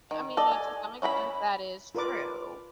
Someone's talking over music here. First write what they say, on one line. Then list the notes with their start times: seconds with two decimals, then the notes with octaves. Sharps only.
I mean, it to some extent, that is true.
0.11 D#3
0.37 A4 D5 D#5
0.52 G#5
1.02 C#4 E4 A#5 B5
1.95 F4 A#4 B4 D5 D6